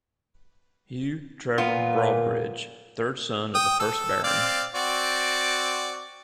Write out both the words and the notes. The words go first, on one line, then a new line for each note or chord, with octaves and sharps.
Hugh Trevor Broadbridge, third son of the first Baron.
A#2 B3 F4
G5 D#6
A4 E6
C4 D5 F5
C4 F#4 D5